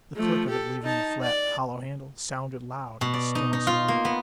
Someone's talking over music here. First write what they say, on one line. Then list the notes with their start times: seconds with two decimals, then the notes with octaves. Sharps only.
The click of it leaving the flat, hollow handle sounded loud in the stillness of the room.
0.15 F3 A3
0.48 G4 A4
0.83 D#4 A5
1.21 D5
3.01 B2
3.14 D5
3.35 D#4
3.53 D#4
3.67 F4
3.88 A#3
4.05 B3